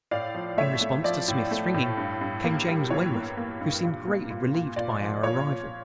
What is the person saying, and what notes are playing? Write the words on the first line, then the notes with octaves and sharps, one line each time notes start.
In response to Smith's ringing came James Weymouth, who seemed greatly relieved by our arrival.
A2 D5 F5
F3
A3 C#5 E5
A3
F3 D5
A2
A3
A2
G2
G2
A#3
G3
E3 C#5
A#3
A#3
G2
A#2
A#3
A#2
A#2
A#2 D5
F3
A#2 C#5
A#2